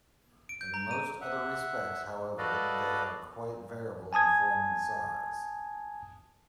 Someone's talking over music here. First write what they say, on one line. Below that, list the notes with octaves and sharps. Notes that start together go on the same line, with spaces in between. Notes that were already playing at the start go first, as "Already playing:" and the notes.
In most other respects, however, they are quite variable in form and size.
D7
G6
A#5
D#7
E5 F#5
F#4 A4 B4 D5 D#5 F5
G#5 A5 D#6 G#6